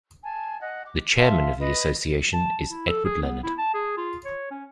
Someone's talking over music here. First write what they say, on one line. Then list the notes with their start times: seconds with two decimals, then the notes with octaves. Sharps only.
The chairman of the association is Edward Lennard.
0.24 G#5 A5
0.60 D#5 F#5
0.86 D6
1.17 E5 F5 A5 C6
1.58 B4 D#5
2.33 A5
2.69 E4
2.87 A4
3.05 G#4
3.23 B3
3.44 E4
3.58 A5
3.74 G#4
3.97 F4
4.25 C#5
4.51 C#4